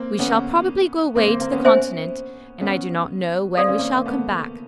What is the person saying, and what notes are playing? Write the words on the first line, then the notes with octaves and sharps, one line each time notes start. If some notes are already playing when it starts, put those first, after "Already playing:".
We shall probably go away to the Continent, and I do not know when we shall come back.
Already playing: A#3 C4
B3 C#4
A#3 C4
A#3 C4
A#3 C4
B3 C#4
C5 E5 G#5
B3 C#4
C4 A4 D5 F5
C#4
A#3 C4
A#3
A3 B3